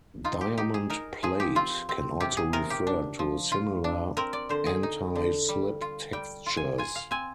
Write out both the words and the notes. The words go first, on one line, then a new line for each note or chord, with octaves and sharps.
"Diamond plate" can also refer to similar anti-slip textures.
D#4 F4
G4
D#4 G4
G#4
D#4 A#4
F3 G#4
G4
C4 F4
C4
C3 G4
G#4
C3 A#4
G4
D4
F3
F4
D4
C4 A#4
D5
D3 C5
G#4
D#4
D3
G3
F4
G3 G5
F4
G#5
F4 G#5
F5
C4 G#5